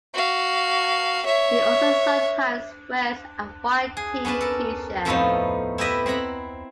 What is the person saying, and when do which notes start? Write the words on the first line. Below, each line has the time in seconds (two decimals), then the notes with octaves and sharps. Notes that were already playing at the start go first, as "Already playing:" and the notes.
He also sometimes wears a white team T-shirt.
0.13 F#4 F5
1.25 C#5 E5
3.97 G#4
4.25 B3 C#4 D4 B4 A5
4.41 A4 A#4
5.05 F2 A2 F3 A3 B3 D#4
5.78 E4 G4 B4 D#5 E5
6.06 C4 E4 F#5 A#5 B5